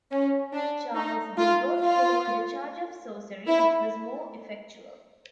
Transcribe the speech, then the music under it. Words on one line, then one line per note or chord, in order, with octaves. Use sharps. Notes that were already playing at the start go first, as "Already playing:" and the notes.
Charles then brought forward a charge of sorcery which was more effectual.
C#4
D4
D#4
F4
F4
E4